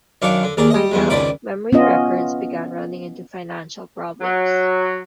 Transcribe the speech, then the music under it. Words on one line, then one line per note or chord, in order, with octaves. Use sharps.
By now, Memory Records began running into financial problems.
F#2 D#3 D4 D5 F5 C#6
D3
D#2 G#4 A#4 D5
G3 D#5
E2 G2 G#3
C#2 G#2 D#3 D5 B5 D6
B3 C#4 F4 D#5
F#3